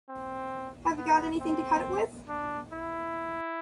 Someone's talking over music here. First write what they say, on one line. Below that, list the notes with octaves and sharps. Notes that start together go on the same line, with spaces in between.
Have you got anything to cut it with?
C4
B3
C4
D4
E4